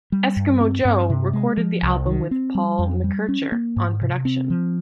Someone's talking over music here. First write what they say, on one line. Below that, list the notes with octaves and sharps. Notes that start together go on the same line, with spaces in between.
Eskimo Joe recorded the album with Paul McKercher on production.
G3
G2
C4
G2
C3
G#3
F3
C2
D#3
C4
G3
F2
G3
C#4
A#3
G#2
C3
C4
F3